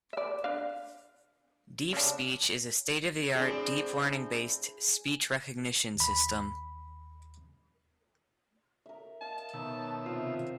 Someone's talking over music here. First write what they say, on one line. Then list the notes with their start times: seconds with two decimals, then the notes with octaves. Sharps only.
DeepSpeech is a state-of-the-art deep-learning-based speech recognition system.
0.13 D5 E5
0.44 D4 F5
1.93 C#3 D4
3.35 A2 C4 D4 G#4
5.96 D#2 B5
8.86 A#4 E5
9.21 D#5 F5 A5
9.54 B2 D#3 C#5 E5 A#5
10.06 C3 F3 F4